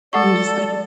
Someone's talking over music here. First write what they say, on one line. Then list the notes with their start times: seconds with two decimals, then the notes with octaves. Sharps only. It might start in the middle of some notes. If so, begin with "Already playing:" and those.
I'm just like it
0.13 G#3 A4 D5 F#5 C#6